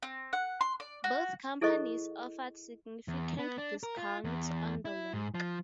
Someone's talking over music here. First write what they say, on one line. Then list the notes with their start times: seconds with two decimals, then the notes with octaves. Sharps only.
Both companies offered significant discounts on the work.
0.03 C4
0.33 F#5
0.61 C6
0.80 D5
1.04 F#4
1.61 E4 G#4 A4 C5 D#5 C#6
3.08 E2
3.39 B3
3.58 D4
3.83 A#4
3.97 F4
4.24 E2
4.85 E4
5.14 G#2
5.34 F3